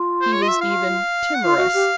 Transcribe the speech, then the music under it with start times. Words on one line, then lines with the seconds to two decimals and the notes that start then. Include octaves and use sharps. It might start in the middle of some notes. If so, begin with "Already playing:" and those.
He was even timorous.
Already playing: F4
0.21 C5
0.34 C#5
0.42 D#5
0.48 E5
0.61 F5
1.34 F#5
1.44 F4 F5
1.57 F#4
1.73 G4